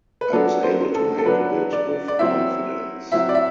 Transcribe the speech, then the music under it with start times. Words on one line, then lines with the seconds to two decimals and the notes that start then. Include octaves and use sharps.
I was able to make bid with confidence.
0.21 B4
0.33 F#3 B3 D4 A4
0.63 C5
0.95 A4
1.18 A4
1.26 F#3 B3 D4 B4
1.73 D5
2.08 D5
2.19 F#3 C4 E4 E5
3.12 F#3 C4 E4 E5
3.29 D5
3.35 E5